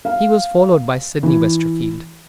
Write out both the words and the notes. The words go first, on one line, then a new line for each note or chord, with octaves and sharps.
He was followed by Sydney Westerfield.
F5
E3